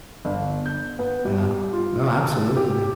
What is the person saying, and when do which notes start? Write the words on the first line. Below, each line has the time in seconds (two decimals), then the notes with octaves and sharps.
Yeah. No, absolutely.
0.25 G1
0.66 G6
0.99 B3
1.25 G3
1.73 F4
2.19 A4
2.57 G4